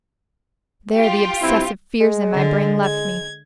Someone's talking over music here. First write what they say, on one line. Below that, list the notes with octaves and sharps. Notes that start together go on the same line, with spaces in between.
There the obsessive fears in my brain left me.
F4 G4
G2 C4 E4
G#3
D3
G#6